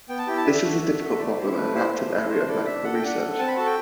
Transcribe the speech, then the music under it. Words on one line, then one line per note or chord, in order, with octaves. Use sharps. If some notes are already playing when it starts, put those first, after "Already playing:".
This is a difficult problem and an active area of medical research.
B3 G5
A5
E4 G4 G5
A5
D4 E5
F#4 A4
D4
F#4 A4
A3 D5
E4 G4 C5
A3 B4
E4 G4 C5
A3 C5
E4 A4
A3 C5
E4 A4 D5
D4 E5
A4 F#5
G5
D4 F#5
A4
C4 A5
B5
F#4 A4 A5
G5